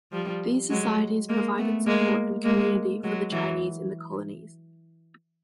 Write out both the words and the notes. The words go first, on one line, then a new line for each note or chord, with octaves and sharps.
These societies provided support and community for the Chinese in the colonies.
F3 G3
F#3 G#3
G#3 A#3
A3 B3
G#3 A#3
G#3 A#3
F#3 G#3
E3 F#3